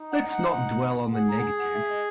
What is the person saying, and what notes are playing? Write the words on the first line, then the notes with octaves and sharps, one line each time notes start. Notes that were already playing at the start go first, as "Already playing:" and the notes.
Let's not dwell on the negative.
Already playing: D#4
F#5
F#5
F#5
G#4 F#5
A#5
F#5
G#5
F#5
E5
D#5